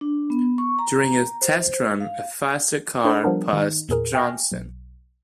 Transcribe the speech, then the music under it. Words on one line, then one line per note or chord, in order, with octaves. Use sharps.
During a test run a faster car passed Johnson.
D4
B3
C#6
A#5
C5
F5
D4 A4 C5 D5 B5
F3 G3 B3 D4 A#4
D#3 D#4
E2 A#2 G#4 A#4
E5 G5 G#5 F6 A#6
B1